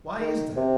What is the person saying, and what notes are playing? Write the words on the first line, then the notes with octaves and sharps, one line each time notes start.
Why is that?
D#3
C3